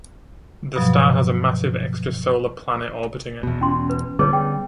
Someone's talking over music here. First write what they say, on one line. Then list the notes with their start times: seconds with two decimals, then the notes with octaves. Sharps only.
The star has a massive extrasolar planet orbiting it.
0.76 G2 B2 F3 F#3
3.43 E2 B2
3.61 C#4 C6
3.90 B4
4.19 D3 G3 B3 G#4 B4 C#5
4.33 G5